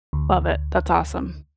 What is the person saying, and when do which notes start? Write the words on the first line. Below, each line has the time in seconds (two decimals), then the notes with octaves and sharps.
Love it. That's awesome.
0.13 D2